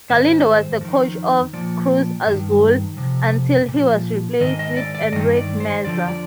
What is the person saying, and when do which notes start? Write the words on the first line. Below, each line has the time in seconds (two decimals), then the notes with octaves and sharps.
Galindo was the coach of Cruz Azul until he was replaced with Enrique Meza.
0.09 G#2 D#3 C5
0.81 F2 D#3
1.53 A#2 F3 D5
2.26 G2 D#3
2.97 F2 C3
3.68 A#2
3.74 F3
4.40 G#2 D#3 D#5
4.59 D#5
4.77 D5
4.95 D5
5.13 G2 D#3 D#5
5.36 D5
5.60 C5
5.85 F2 D3 F3 D5
6.08 D5